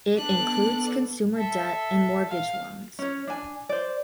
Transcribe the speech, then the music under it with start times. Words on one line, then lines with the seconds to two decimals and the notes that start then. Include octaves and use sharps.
It includes consumer debt and mortgage loans.
0.17 B3 D4 A4 F#6
1.36 A4 E5
2.29 F5
2.99 C#4 C#5
3.27 D4 G#5
3.69 C5 D5